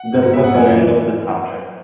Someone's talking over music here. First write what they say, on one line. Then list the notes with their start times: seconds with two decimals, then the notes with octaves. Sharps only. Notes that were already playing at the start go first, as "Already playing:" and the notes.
There was an end of the subject.
Already playing: F#5
0.14 G#2
0.33 B3 E5
0.44 F#5
0.54 F#2 G#5
0.74 E3